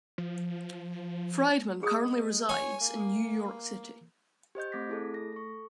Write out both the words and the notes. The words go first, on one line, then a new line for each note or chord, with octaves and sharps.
Friedman currently resides in New York City.
F3
G#3 G#4 D#6
C#5 G#5
A#3
G4 C5 D#5 G6
A3 C4 D6 G#6 A#6 B6
E4 G#4 A4
A3 A#6
A4 C#6